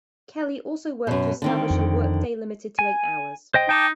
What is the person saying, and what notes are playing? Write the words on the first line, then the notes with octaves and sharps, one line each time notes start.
Kelley also worked to establish a work-day limited to eight hours.
F#2 B2
D3 D#3 C4
F2
G#5
C5 D#5 G5
D#4 G5 A5 D6